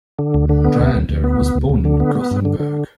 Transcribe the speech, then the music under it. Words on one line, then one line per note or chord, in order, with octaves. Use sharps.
Dryander was born in Gothenburg.
D3
D2
D3
B3
D2
D2
D2
B3
D2
D2
D2
D3
B3
B3
G2
D3
D3